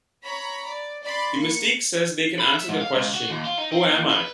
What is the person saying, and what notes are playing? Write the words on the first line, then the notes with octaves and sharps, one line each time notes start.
The mystique says they can answer the question 'Who am I?
C#5 A#5 B5
D5
D5 B5 C6
A#3 C#7
B5
E5
G#2
F5
C#2
F#4
D#2
F4
D#4
C4
D#2
B4